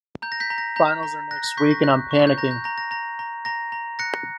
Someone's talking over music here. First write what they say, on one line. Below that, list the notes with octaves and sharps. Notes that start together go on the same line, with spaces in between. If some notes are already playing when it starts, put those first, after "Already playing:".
Finals are next week and I'm panicking.
A#5 G6
A#6
G6 B6
A#5
A#6
A#5 G6
A#5
F#6 A#6
A#6
C#6 G6 B6
A#6
F#6
C#6
G6
A#5 A#6
G6
A#5 A#6
A#6
A#5 A#6
A#5
A#5 A#6
A#5
F#6 A#6 C#7